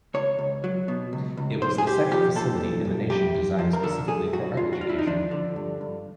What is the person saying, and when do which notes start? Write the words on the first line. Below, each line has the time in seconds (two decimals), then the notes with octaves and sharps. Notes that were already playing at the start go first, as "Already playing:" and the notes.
It was the second facility in the nation designed specifically for art education.
0.14 C#2 C#5
0.39 C#2
0.64 F#3
0.88 B2
1.13 C#2
1.37 C#2
1.62 B1 C5
1.78 G#4
1.86 B1 G4
2.11 F3 G4
2.36 A#2 A4
2.60 B1
2.85 B1
3.10 F#2 G4
3.34 F#2
3.59 F3
3.73 A#4
3.83 D3 A4
4.08 F#2 G#4
4.33 F#2 F#4
4.57 G2 F4
4.73 F#4
4.81 G2 F4
4.89 E4
4.99 D#4
5.07 F3 D4
5.31 D3
5.56 G2
5.81 G2